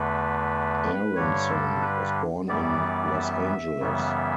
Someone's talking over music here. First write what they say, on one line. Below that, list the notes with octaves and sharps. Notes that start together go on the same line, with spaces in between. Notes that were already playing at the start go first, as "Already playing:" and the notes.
Aaronson was born in Los Angeles.
Already playing: E2 D3 A3 B4
G2 D3 G3 C#5
A4
B4
F#2 E3 G3 B3 D5
E5
F#2 C#3 E3 G3 B3